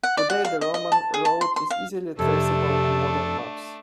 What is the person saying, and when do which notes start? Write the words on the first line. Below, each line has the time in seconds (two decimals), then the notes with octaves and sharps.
Today the Roman road is easily traceable on modern maps.
0.03 F#5
0.17 D5
0.30 F#5
0.45 F5
0.61 D#5
0.74 D#5
0.92 A5
1.14 G#4
1.25 A5
1.41 C6
1.56 C6
1.70 F5
2.19 F2 C3 A3 D4 A4